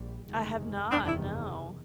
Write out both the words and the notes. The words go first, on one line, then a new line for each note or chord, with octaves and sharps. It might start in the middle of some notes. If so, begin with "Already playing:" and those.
I have not, no.
Already playing: A#1 A#2 G3
F#1 E2 C3 D#3 G#3
F#1 E2 C3 D#3 C4 D4
D4 E4